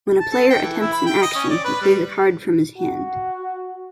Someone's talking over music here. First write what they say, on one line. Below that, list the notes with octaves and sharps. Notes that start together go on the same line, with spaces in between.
When a player attempts an action, he plays a card from his hand.
A5
A4
G5
E3
E4
B5
G5
D#5
C#4
D5
B4
G3
F#4